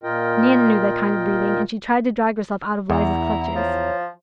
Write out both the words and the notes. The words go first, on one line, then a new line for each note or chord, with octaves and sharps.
Nana knew that kind of breathing, and she tried to drag herself out of Liza's clutches.
A#2 F4 A#4 D#5 G5
E2 E4 F#5 A#5
F3 C#5